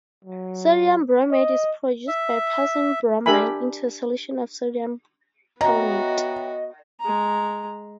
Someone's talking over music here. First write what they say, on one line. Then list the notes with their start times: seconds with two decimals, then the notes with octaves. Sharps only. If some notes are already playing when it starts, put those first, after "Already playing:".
Sodium bromate is produced by passing bromine into a solution of sodium carbonate.
0.25 F#3
1.31 D#5
2.08 E5
3.26 D4 G4 A#4 E5 G#5 B5
5.61 B3 F#4 C#5 D#5 E5 G5 A#5
7.00 G#3 A#5